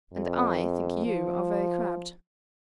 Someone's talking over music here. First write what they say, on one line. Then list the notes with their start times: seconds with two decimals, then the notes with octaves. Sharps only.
"And I think you are very crabbed."
0.13 F2
1.05 F3